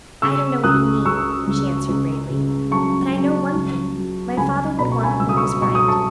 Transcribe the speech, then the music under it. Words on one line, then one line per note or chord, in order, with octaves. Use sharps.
"I don't know what you mean," she answered bravely, "but I know one thing: my father would want what was right."
C#3 C#6 E6
C#2 D#6 F#6
C#2 C#6 E6
C#2
C#2
C#3
F#3 A5 C#6
F#3
C#2
F#3
C#2 G#5 B5
B2 B5
C#6
G#5 B5
C#2 E6
D#6
C#6 E6
B2 C#6
D#6
A5 C#6